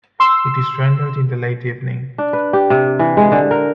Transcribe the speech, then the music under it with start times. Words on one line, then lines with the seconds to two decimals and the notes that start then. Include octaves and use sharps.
It is rendered in the late evening.
0.20 C6 E6
2.18 D4
2.33 B4
2.53 G4
2.70 C3
2.99 E3
3.17 G#3
3.32 D3
3.51 A#4